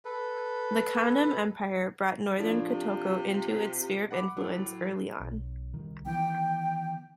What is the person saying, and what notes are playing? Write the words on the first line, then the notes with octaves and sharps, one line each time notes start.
The Kanem Empire brought northern Kotoko into its sphere of influence early on.
A4 B4
A2 F3 A3 D4
C3
F#5 B5 D6
A2 F#3
B1
C2 D#3
D#3 E3 B3 G5